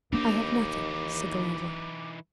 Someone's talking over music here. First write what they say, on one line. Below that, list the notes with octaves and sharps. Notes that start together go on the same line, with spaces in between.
"I have nothing," said the landlord.
D#2 E3 A#3 D4 D#4 D6